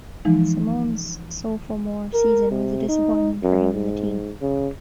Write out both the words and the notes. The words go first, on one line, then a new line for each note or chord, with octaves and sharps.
Simeon's sophomore season was a disappointment for him and the team.
E3 F3 G#3 D#4
A#4
C3
D#4
F#2
G#2
C#3